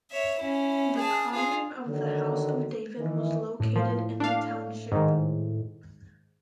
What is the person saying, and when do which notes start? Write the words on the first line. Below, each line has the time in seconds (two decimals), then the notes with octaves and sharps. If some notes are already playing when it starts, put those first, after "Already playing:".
The commune of the House of David was located in the township.
0.11 C#5 E5
0.39 C#4 E4
0.95 G#4 A5
1.32 F4 G#4
1.88 D3 D#3 F#3
2.98 D#3 E3
3.60 A2
3.76 F3
4.20 D4 F5
4.92 G#2 D#3